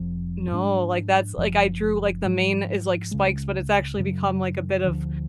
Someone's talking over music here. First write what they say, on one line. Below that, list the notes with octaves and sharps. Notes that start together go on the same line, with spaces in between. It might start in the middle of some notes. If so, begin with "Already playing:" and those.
No, like, that's like, I drew, like, the main is like, spikes, but it's actually become like a bit of,
Already playing: F1 F2 F3
G#2 F3 G#3 D4
F#1 F#2 F3
G#2 F3 G#3
C#2 C#3 G#3
F#2 C#3 F#3
D2 D3 F3